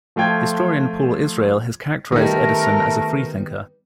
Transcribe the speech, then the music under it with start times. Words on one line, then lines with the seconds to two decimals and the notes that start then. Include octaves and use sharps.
Historian Paul Israel has characterized Edison as a "freethinker".
0.16 F3 A3 F4 G5 G#6
2.12 D#3 G3 A3 B3 D#4 A#4